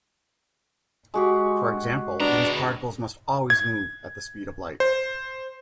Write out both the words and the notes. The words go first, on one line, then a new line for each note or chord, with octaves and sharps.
For example, these particles must always move at the speed of light.
G#3 F#4 G4
C#2 B3 D4 A#5
G#6
C5